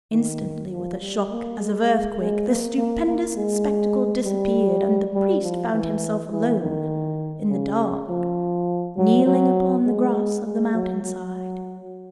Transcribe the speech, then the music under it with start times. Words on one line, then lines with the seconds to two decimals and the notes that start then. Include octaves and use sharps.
Instantly with a shock as of earthquake the stupendous spectacle disappeared; and the priest found himself alone in the dark, kneeling upon the grass of the mountain-side.
0.12 D#3
0.72 F3
1.00 G3
1.30 A#3
1.60 G#3
2.19 G#3
2.48 A#3
2.78 A#3
3.07 A#3
3.37 G#3
4.25 G3
5.14 G3
5.42 F3
5.72 E3
6.31 E3
6.61 D#3
7.49 C#3
8.08 F3
8.96 F#3
9.26 F#3
9.86 G#3
10.44 G#3
10.74 F#3
11.03 F#3